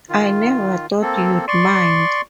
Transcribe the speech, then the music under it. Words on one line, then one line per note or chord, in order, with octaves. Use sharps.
I never thought you’d mind.
D#3 F4
A#3 C4 A4
D5 C6 C#6